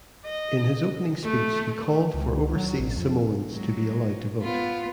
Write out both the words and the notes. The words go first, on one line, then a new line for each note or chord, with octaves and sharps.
In his opening speech he called for overseas Samoans to be allowed to vote.
D#5
A3
C#2
F#3
A1
F2
F#3 G#3
B3 F4